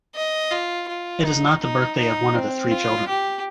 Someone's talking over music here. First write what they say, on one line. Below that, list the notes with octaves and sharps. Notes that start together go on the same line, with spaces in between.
It is not the birthday of one of the three children.
D#5
F4
F4
D#4
D#4
D#4
C4
F4
G4